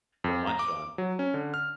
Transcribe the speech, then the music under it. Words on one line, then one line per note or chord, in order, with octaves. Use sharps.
to munch on.
F2
A#5
D6
F#3
C#4
D3
F6